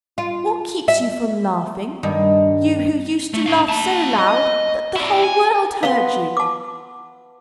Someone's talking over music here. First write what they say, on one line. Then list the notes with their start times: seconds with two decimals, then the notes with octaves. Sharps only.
"What keeps you from laughing, you who used to laugh so loud that the whole world heard you?"
0.18 F4
0.88 E5
2.03 G2 D#3
3.34 A3
3.46 D4 F5
3.69 A#3 A5
4.18 D#5
4.96 E4 D5
5.24 G#5
5.83 B3 F5 C6
6.37 A5 D6